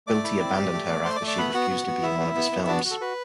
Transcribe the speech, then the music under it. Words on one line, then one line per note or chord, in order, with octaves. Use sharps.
Quilty abandoned her after she refused to be in one of his films.
A3 D5 D6
E4
C4
G4
A3
A3
A3 C5 C6
D5 D6
A3
D5 D6
B3 B4 B5
B3 F#4 F#5
B3
B3
E4 E5
B3
B3
B3
D4 F#4 D5
F#4
A4
F#4 B4